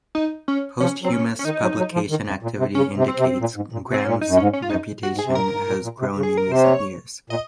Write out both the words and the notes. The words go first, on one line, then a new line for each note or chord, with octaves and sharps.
Posthumous publication activity indicates, Graham's reputation has grown in recent years.
D#4
C#4
F3 C#4
F#3 C4
C#4
C#4
D#3 D#4
F#3
F#3
F3
D#3
F#2
A#2
C3
C#3 C#4
C3
C4
C3
A#2
G#2
A#2
C3
C4
A#2 C#4
D#4
F#2
G#2 C#4
C#4
F4
F#2 D#4
F#4
G#2
G#4
C3
A#2 A#4
G#2
A#2
A#2
C3
C#3
G#4
A#4
C3 C5
C#5
A#2 D#5